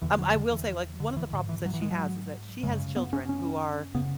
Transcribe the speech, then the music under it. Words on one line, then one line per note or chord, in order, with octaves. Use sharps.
um, I will say, like, one of the problems that she has is that she has children who are,
E2 D3 E3
F#3
D3
E3
D3
E3
G#2 D3
E3
F#3
E3
G#3
F#3
F#2 C#3 G#3
B3
C#4
C#4
C#3 B3